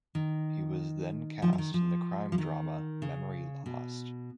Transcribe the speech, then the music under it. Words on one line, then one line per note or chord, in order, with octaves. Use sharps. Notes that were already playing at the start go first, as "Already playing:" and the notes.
He was then cast in the crime drama "Memory Lost".
D#3
F3
F3
D#3
F3
F3
D#3
C#3
B2